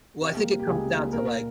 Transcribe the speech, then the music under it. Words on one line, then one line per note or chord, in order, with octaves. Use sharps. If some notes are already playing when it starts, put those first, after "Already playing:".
Well, I think it comes down to, like,
C3 G4
A#3
G3
G4
C#2 G#4
C3
A#3
A#2 A#4